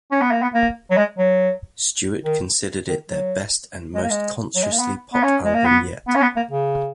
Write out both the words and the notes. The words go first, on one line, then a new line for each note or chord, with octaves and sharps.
Stewart considered it their best and most consciously pop album yet.
C#4
B3
A#3
B3
A#3
F#3
G#3
F#3
D#3
D#3
F#3
G#3
A#3
G#3
F#3
G#3
A#3
B3
B3
C#4
G#3
A#3
B3
B3
C#4
B3
A#3
C#3